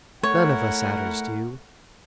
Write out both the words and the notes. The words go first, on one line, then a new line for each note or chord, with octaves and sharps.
None of us Adders do.
A3 E4 A#4 C#5 F#5